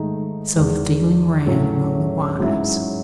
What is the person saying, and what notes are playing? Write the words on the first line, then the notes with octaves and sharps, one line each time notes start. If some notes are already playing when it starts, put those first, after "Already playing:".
So the feeling ran among the wives.
Already playing: G#2 D#3 A3 D#4
E2 D#3 G#3
A2 F#3 A3 C#4 E4
G#2 F#3 C#4 E4